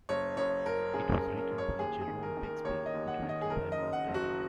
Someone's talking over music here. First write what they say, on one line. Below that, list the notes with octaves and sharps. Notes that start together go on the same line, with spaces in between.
It was written by Jerome Bixby and directed by Marc Daniels.
F#1 C#5
F#2 C#5
F#1 A#4
C#3 G#4
A#4
F#1
A#4
F#2
C#5
D#2 G#4
G#4
D#3
A#4
D#3
A#4
D#2 C#5
D#5
D#2
F#5
D#3
D#5
G#4
F#1 A#4
D#5
F#2
F#5
F#1
F#4